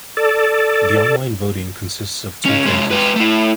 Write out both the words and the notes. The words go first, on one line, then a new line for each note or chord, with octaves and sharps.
The online voting consists of two phases.
A4 D5
C#2 C#4
C3 G#3
G#3 B4
A3 E4